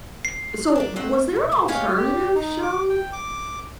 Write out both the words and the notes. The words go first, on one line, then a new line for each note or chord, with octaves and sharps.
so, w was there an alternative show
C7
D4 A#4 D5
D#3 C4 C5 F#5
A3
B2
D2 G#2 C3
G4 G#4 C#5 D#5 F5
G4
D#4
D6
G5
D6